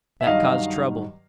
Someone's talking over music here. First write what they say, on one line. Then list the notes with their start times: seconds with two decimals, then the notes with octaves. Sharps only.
That caused trouble.
0.21 E5
0.26 G2 D#3 F#3 D#5 F5